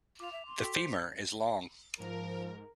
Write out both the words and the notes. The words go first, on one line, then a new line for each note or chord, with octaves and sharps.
The femur is long.
F4 D6 F7
E5
C6
F#4 A4 G5 B6
C5
G#2 F3 A#4